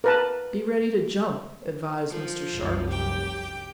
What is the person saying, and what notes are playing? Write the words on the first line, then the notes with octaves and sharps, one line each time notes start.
"Be ready to jump," advised Mr. Sharp.
A#4 B4 A5
F3
F1 C2 F#2
G4 G5